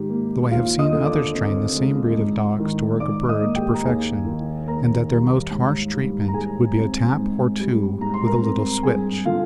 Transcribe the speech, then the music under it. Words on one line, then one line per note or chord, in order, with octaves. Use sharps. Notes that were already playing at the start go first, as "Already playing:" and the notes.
Though I have seen others train the same breed of dogs to work a bird to perfection and that their most harsh treatment would be a tap or two with a little switch.
Already playing: G#2 D#3 G4
A#3
D#2 F4 F5
D#5 D#6
D3
D5 D6
C4
G#3
G#2
D#3
G#2 D5 D6
D#5 D#6
A#3
G4 G5
A#5
D#2 G#4 G#5
D#3
D#2 A#4 A#5
G3
G#2
G3
A#5
G#2 G#4 G#5
C4
G#2
G3
G#2 A#5
C6
A#4 A#5
C4
G2 G#4 G#5
D3 F4 F5